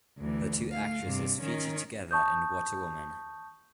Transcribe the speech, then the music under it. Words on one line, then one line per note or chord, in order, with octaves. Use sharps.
The two actresses featured together in What a Woman!
D2 E3
A3 F5
G2 C3
D#3 C#4
A5 C#6 D#6 G6